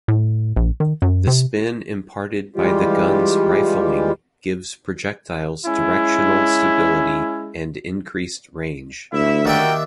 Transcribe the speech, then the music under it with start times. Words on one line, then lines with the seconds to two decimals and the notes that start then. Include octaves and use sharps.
The spin imparted by the gun's rifling gives projectiles directional stability and increased range.
0.08 A2
0.57 A#1
0.80 D#3
1.02 F#2
1.27 C3
2.56 E3 G3 G#3 F4 G4
5.65 G#3 C#4 E4
9.12 D2 E4 E5
9.45 D#2 F#4 A#4 D5 E5 G5